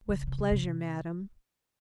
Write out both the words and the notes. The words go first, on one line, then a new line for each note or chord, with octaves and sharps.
"With pleasure, madam."
C#3
C3
C#3
C3
C3